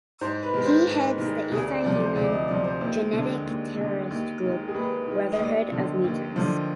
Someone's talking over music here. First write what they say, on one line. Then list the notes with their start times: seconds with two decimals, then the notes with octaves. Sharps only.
He heads the anti-human, genetic terrorist group Brotherhood of Mutants.
0.21 G#2 C5
0.43 B4
0.54 D#3 G#3
0.65 C5
0.87 G#2
1.18 D#3 G#3
1.51 D2 G#4
1.68 D5
1.84 C3 F3 D5
2.00 C5
2.16 D2 D5
2.32 D#5
2.48 C3 F3 D5
2.64 C5
2.81 D#2 C5
3.13 D3 G#3
3.46 D#2
3.77 D3 G#3
4.11 D#2
4.42 D#3 G#3
4.68 G#4
4.74 D#2 B4
5.07 D#3 G#3
5.32 D#5
5.39 D#2 D5
5.72 D3 F3
6.04 D#2
6.36 D3 F3